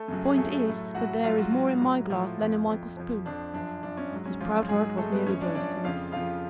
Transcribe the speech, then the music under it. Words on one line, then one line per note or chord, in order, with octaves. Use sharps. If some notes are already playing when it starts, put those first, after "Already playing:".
"The point is, that there is more in my glass than in Michael's spoon." His proud heart was nearly bursting.
Already playing: A3 A4
F#2 C#3 F#3
G#4
F#2 C#3 F#3 A3 A4
A2 F#3
A2 F#3 F#4 F#5
G#2 F#3 F4 F5
F#3 F#4
G#2 F#3
A2 F#3
A2 F3 F#3 F4
F2 F3
F2 F3
F2 F3
F2 F3 D4
F#2 F3 D4
F#2 F3 D4
C#4
G#2 F#3
C#4
G#2 F3 F#3 F4
G#2 F#3 G#3 G#4
G#2 F#3 A3 A4
B3 B4
F#2 F3 C#4 C#5
D4 D5
F#2 F3 D4 D5
F2 C#3 F3 F4 F5
F2 C#3 F3 F4 F5